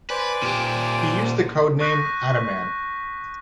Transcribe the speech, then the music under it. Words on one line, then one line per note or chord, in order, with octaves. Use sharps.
He used the code name "Ataman".
B4 C5 D5 G#5
A#2 G4
C#6 D#6 F#6 G6 A#6 B6